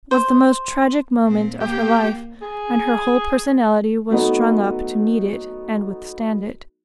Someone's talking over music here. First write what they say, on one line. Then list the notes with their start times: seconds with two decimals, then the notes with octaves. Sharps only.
It was the most tragic moment of her life, and her whole personality was strung up to meet it and withstand it.
0.11 C5
1.27 A#2 C4
1.61 A#3 G4
2.42 G#4
4.10 F#3 A3 B3 D#4